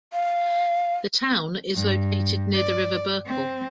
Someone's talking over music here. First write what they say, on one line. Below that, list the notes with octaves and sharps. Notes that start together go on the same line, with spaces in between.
The town is located near the river Berkel.
F5
G2
D5
C4